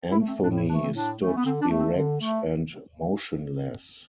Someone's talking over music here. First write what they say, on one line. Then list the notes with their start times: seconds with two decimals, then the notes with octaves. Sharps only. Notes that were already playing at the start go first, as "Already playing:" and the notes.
Anthony stood erect and motionless.
0.11 E4
0.19 A3
0.28 C4
0.44 A2 D4
0.57 E4
0.69 E3 A3 D4
0.82 C4
0.94 A2 D4
1.19 E3 A3
1.36 B3
1.45 D3 C4
1.61 D4
1.70 A3
1.79 C4
1.95 D3
2.21 A3